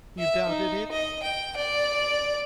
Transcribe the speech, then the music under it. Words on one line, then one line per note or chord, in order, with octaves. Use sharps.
"You doubted it?"
E5
D#4
D#5
G5
D5